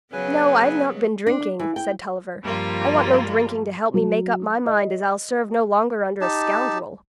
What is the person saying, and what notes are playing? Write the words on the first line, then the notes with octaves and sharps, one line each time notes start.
"No, I've not been drinking," said Tulliver; "I want no drinking to help me make up my mind as I'll serve no longer under a scoundrel."
C#3 F#3 B3 B4 G#5
D4
E3
G5
G2 F3 G3 A#3 F4
F#3
D#5
D#4 G4 A5